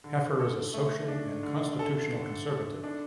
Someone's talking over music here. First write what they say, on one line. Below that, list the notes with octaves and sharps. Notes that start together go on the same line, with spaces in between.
Heffer is a social and constitutional conservative.
D3
A4
A3
D4
D3
A4
D3
A4
D4